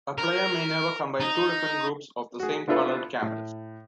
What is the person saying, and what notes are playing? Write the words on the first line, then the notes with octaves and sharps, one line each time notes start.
A player may never combine two different groups of the same colored camels.
A#4
D#4
F#4 G#4
B3 D4 E4 F4 A4 B4
A2